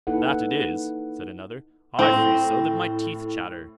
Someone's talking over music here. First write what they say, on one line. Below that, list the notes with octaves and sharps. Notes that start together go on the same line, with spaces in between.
'That it is', said another; 'I freeze so, that my teeth chatter.'
A#3 D#4 E4 A4 B4 F#5
A2 C4 A#6